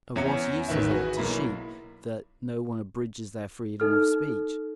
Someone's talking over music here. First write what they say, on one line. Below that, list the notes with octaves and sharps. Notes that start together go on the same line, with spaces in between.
Of what use is it to sheep that no one abridges their freedom of speech?
E2 C#4 C#5 E5 A#5 C#7
A1 D#3 B4 E5
F#4 G#4 B4
B1 A#3 E4 A#5 B5
D#4 A4 F6